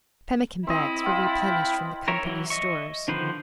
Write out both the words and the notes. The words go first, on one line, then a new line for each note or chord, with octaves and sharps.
Pemmican-bags were replenished from the company's stores.
C4 E4 D#5
F4 G5
A#4 C#5 E5
E3 F#3 E4
D#5 E5 C#6
D3 D#3 F3 B4 C5